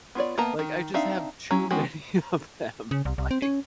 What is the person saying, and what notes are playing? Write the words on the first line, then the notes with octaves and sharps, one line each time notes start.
like, I just have too many of them, like
B3 F4 C#5 D5
A#3 B3 E5 A5 A#5
D#3
C4 D4 D#4 E5 F5
F#3 C#4 E4 A#5
G#3 B3 C#4 F#4 G4
C#3
C2
C2
C4
C#4